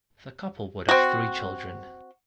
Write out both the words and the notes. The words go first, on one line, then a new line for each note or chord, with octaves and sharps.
The couple would have three children.
C4 F#4